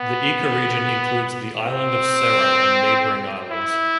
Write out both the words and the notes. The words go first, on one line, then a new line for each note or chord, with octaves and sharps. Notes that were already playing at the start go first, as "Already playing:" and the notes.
The ecoregion includes the island of Seram and neighboring islands.
Already playing: B3
C4
E4